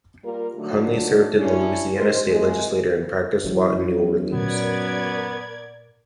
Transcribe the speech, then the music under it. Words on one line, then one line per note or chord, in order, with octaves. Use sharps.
Hunley served in the Louisiana State Legislature and practiced law in New Orleans.
G3 A#3 F4 A#4
D3 D#3 F#3 A3
C#4 D4 E4
C#4 D#4 G4 A#4 C5
D#2 C3 F3 G#3
F#2 E3 E4
A#2 B3 A#4 D5 G#6